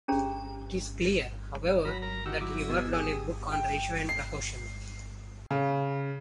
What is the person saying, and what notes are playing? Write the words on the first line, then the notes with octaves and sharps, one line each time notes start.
It is clear, however, that he worked on a book on ratio and proportion.
C#4 D4 G4 G#4 C5 A#5
F#3 A#5 B5
A#4 A#5
D#3 F#4 G4 E6
F#3 E4 D6
B2 G#4 E6
G4 G#4 D#6
G5
C7
C#3